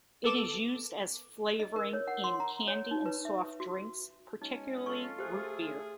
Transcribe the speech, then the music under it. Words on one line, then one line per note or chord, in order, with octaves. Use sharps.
It is used as a flavoring in candy and soft drinks, particularly root beer.
B3 A4 D6 E7
D#5
A#4
C#5
F#5
C6
A#5
C#5
D#4
B4
E5
F#4
G#3 C#4 D#4
F4 A4 C#6
A3 G4 G#4 C5